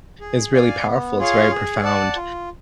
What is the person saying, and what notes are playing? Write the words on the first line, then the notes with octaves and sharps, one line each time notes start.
is really powerful, it's very profound,
G#4
D5 F5 G#5
B3
F4 G#4 C#5 F5
G#4
D5 F#5 A5
F4